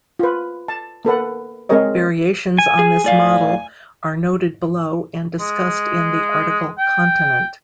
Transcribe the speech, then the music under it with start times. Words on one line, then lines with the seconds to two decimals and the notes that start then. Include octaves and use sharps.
Variations on this model are noted below and discussed in the article Continent.
0.19 F4 B4
0.68 A5
1.05 A#3 A4 B4 F#5
1.69 G#3 C4 G#4 A#4 C#5 D#5
2.58 G#5
2.79 G#4
3.04 A2 D5 F5
5.39 G#3
6.78 G5